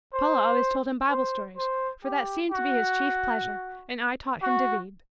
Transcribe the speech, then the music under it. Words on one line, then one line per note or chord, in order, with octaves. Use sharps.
Paula always told him Bible stories, for that seemed to be his chief pleasure, and I taught him to read.
C5
C5
C5
G4
F#4
F#4